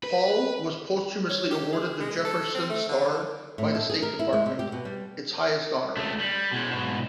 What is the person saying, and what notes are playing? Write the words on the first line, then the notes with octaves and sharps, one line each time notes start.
Paul was posthumously awarded the Jefferson Star by the State Department, its highest honor.
B4
C#5
G4
G#4
G#3
A4
C4
A3
D3
A2
A4
G#4
A#4
E4
G#3
C3
G4
B2
G3
C#2 A3
G3
B2 G#3
G#2 B2